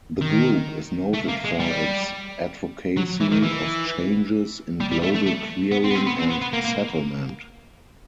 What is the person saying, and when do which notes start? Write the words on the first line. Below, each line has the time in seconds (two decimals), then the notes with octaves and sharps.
The group is noted for its advocacy of changes in global clearing and settlement.
0.22 D#3
1.14 A3
1.29 A#3
1.45 G#3
1.60 G3
2.97 F#3
3.20 E3
3.32 D#3
3.43 E3
4.80 G3
4.91 G3
5.03 A3
5.15 A3
5.26 A3
5.72 B3
5.84 C4
5.91 B3
5.96 C4
6.07 B3
6.19 C4
6.30 B3
6.42 B3
6.53 A#3
6.65 A#3